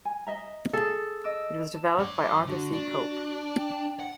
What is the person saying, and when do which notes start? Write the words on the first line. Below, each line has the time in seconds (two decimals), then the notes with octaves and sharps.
It was developed by Arthur C. Cope.
0.05 G#5
0.27 D#5 E5 A#5
0.73 G#4 A4
1.24 D#5 D6 E6
1.73 A5
1.98 F#2 C#5 D6
2.47 D3 F#4
2.73 D4
3.56 G5
4.00 F#5